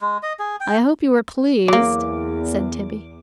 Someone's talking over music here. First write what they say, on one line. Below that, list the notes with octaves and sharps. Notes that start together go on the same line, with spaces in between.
"I hope you were pleased," said Tibby.
G#3
D#5
G#4
G5
E2 F#3 A#3 D6